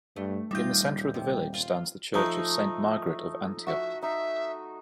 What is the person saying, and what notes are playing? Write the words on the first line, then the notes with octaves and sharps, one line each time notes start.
In the centre of the village stands the church of Saint Margaret of Antioch.
G2 A3
D#1 G3 D#4 F4 E5 G6
C3
F4
F3 A3 D#4 D#5
F#4 E5
D#4 E5